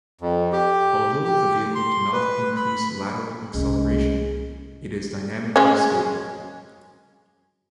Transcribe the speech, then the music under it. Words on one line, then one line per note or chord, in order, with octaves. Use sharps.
Although the vehicle cannot increase lateral acceleration, it is dynamically stable.
F2
G4
G4
C6
B4
B5
C2 G#3 A3 C#4
G#3 C#4